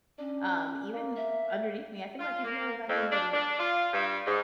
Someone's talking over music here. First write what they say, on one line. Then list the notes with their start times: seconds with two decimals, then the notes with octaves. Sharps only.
um, even underneath me. I think, like, if you're, like, in your l
0.19 C#4 D4
0.93 A#3
1.16 E5
2.19 F4
2.44 A#3
2.88 F2
3.11 D4
3.33 D4
3.58 F4
3.93 G2
4.25 G#2